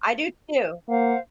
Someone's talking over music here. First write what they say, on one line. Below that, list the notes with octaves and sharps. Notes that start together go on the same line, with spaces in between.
I do too.
A#3 C5 F5 F#5